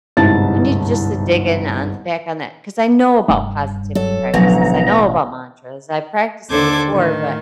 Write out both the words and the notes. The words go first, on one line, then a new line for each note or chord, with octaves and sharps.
I need just to dig in on back on that 'cause I know about positivity practices, I know about mantras. I practiced them before, but
G1 C2 G#2 E4 A5 A6
F1 G2
F#3 A4
A1 B2 D3 F3 F#3 B3 A#5
D#2 D3 A4 C5 D6 G#6
A2 D#3